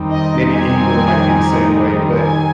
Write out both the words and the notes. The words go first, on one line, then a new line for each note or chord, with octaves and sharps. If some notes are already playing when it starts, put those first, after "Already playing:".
maybe England might be the same way. But,
Already playing: F2 D#3 G3 C4 D#4
D#5
G#5
G#5